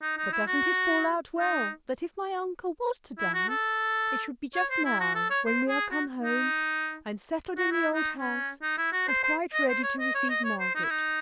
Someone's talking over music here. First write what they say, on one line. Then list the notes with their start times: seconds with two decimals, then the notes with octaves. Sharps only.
But doesn't it fall out well, that if my uncle was to die, it should be just now, when we are come home, and settled in the old house, and quite ready to receive Margaret?
0.02 D#4
0.17 D#4
0.32 E4
0.47 F#4
1.37 D#4
3.19 E4
3.34 F#4
3.49 A4
4.55 C#5
4.71 C5
4.85 E4
5.00 F#4
5.15 A4
5.30 C#5
5.46 C5
5.68 G#4
5.91 F#4
6.21 D#4
7.58 F#4
7.72 E4
7.94 D#4
8.17 C#4
8.62 D#4
8.78 E4
8.92 F#4
9.08 C5
9.23 C5
9.53 D#5
9.69 C5
9.83 C#5
9.99 D#5
10.14 C#5
10.29 D#5
10.44 C#5
10.60 C5
10.75 D#4
10.84 E4
10.90 D#4